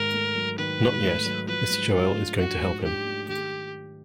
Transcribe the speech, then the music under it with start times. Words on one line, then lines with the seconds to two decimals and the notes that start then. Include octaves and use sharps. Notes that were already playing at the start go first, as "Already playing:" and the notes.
Not yet; Mr. Joel is going to help him.
Already playing: G#2 D#3 A#4
0.14 A3
0.35 F#3
0.58 D#3 B4
0.81 G#2
1.03 A3
1.26 F#3
1.48 F3 B4
1.70 G#2
1.93 D4 F4
2.16 A3
2.38 F3 F#4
2.61 G#2
2.83 D4 G4
3.05 A3
3.28 D#3 G4